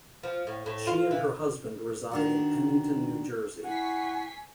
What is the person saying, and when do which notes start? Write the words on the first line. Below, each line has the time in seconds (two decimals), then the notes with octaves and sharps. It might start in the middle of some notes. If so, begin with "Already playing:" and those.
She and her husband reside in Pennington, New Jersey.
0.23 F3
0.47 A2
0.66 A2
0.87 F4
1.11 E3
2.11 D#3 D4 F#4
3.65 E4 F#5 G#5 C#6 B6 C7